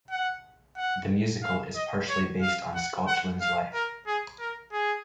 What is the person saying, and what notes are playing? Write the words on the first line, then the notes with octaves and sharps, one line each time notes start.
The musical is partially based on Schalchlin's life.
F#5
F#5
F5
D#5
C#5
F5
F#5
F#5
F5
A#4
G#4
A#4
G#4